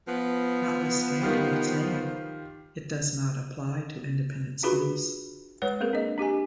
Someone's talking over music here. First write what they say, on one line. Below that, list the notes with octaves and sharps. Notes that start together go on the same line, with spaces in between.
Notwithstanding its name, it does not apply to independent schools.
F3 B3
D#3 F4 G4
D4 F4 F#4 G#4 B4 B5
G#3 B4 C#5 F#5
A#3 C4 G#4 A#4
D4 D#5
D4 G4 D#5 G#5